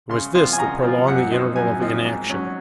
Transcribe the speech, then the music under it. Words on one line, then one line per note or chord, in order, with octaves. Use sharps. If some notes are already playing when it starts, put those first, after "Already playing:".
It was this that prolonged the interval of inaction.
C#3 C6
F3 C4 F4 C6
G#5
C#3 A#5
F3 C4 F4
F#2 F#5
F3 C4 D#4
F#2 G#5
F3 C4 D#4
G#2
F#3 C#4